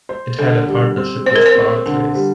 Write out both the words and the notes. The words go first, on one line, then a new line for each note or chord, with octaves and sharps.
It had a partnership with Barclays.
C5
D3 A4
G3
C4
C4 C5
A#4
C5
C4
D3
G3